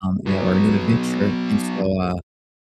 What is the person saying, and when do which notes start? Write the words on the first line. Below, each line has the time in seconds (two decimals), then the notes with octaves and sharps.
um, yeah, or a new adventure, and so, uh,
0.26 F#3 B3